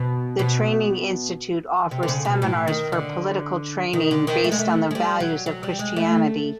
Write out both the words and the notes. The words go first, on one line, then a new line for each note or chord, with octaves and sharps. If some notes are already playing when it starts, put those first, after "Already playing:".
The Training Institute offers seminars for political training based on the values of Christianity.
Already playing: B2
B2
C3
D3
C#3
B2
A2
D#3
D3
D#3
D3
D#3
A3
G#3
A3
G#3
G3
F#3
F#3
G3
G#3
A3